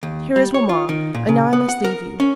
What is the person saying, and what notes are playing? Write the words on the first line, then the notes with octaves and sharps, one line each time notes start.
Here is mamma, and now I must leave you.
D#2
G3
C#5
F4
D#3
A#2
C#3
B3
F#5
A#4
C#4